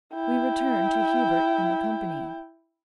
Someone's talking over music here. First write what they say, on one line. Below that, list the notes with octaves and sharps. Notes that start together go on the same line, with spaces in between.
We return to Hubert and the company.
E4 G5